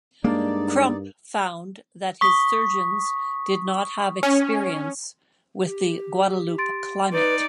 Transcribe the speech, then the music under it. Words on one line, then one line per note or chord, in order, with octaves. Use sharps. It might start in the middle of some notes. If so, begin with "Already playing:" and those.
Crump found that his surgeons did not have experience with the Guadeloupe climate.
G2 G#3 A#3 D4 D#4 D5
C#6 D#6 B6
C#4
G4
C6 A6 D7
D#4 B4 D5